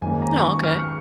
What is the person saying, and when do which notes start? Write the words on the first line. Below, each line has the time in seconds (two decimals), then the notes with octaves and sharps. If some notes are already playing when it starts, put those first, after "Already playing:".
Oh, okay.
0.01 G#1 G#2 D#3 A#3 C#4 G#5
0.22 A#5
0.43 C#6
0.63 F6
0.79 C#7